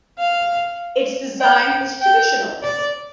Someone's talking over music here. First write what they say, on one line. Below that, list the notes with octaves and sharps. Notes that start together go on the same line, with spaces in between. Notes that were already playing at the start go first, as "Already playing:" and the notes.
Its design is traditional.
F5
G5
G5
D5